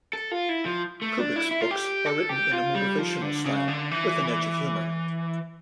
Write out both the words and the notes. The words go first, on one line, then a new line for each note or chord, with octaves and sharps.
Kubiks books are written in a motivational style, with an edge of humour.
A4
F4
E4
F3
A3
D4
E4
E4
F4
G4
A4
G4
F4
G3
F3
D3
C#3
D3
E3